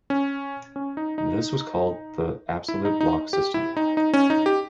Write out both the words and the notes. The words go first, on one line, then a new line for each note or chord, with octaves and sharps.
This was called the "absolute block system".
C#4
C#4
D#4
D#4
E4
D#4
D#4
G4
E4
D#4
D#4
C#4
D#4
G4